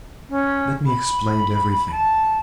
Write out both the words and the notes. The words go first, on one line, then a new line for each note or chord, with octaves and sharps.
Let me explain everything.
C#4
B5
A5